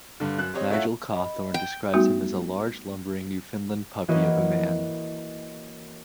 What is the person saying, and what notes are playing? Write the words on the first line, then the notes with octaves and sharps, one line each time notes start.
Nigel Cawthorne describes him as a large, lumbering, Newfoundland puppy of a man.
G2 D3
F#2 F#6
C4 G4 C#5 D#5
A3 E4 F4 C#5 E5 F#5
D#5 B5
G5
G3 A3 B3 D#4 F#4
E3 A#3 F#4 B4 C#5 D#5